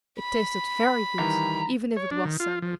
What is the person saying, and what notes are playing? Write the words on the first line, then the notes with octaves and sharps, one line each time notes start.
It tasted very good, even if it was sandy.
B5
D#3 E3 G3 A#5
C#5
D4
D#3
F4
F3